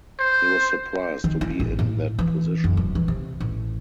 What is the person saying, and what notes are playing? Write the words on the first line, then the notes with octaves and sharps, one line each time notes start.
He was surprised to be in that position.
C5
D#3
E4
A1
A2
E3
F#2
D1
E3
C3
A1